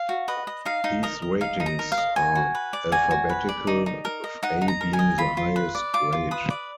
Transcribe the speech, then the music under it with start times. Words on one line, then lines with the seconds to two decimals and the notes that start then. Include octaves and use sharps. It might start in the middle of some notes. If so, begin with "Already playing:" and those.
These ratings are alphabetical, with "A" being the highest grade.
Already playing: F5
0.09 F#4
0.28 B4 D#5
0.47 D#5
0.65 D#4 F5
0.84 D#4
1.03 A#4 D#5
1.22 D#5
1.41 D#4 F5
1.60 D#4
1.66 A#5
1.79 A#4
1.92 F5
1.98 D#5
2.16 F#4 G#5
2.35 F#4
2.55 B4
2.73 D5
2.92 F#4 G#5
3.11 F#4
3.29 B4
3.49 D5
3.67 D#4
3.86 D#4
4.05 A#4
4.24 D#5
4.43 D#4 F#5
4.61 D#4
4.68 A#5
4.81 A#4
4.93 G#5
4.99 D#5
5.18 F4 B5
5.37 F4
5.56 B4
5.75 D5
5.94 F4 D6
6.13 F4
6.31 B4 D#6
6.50 D5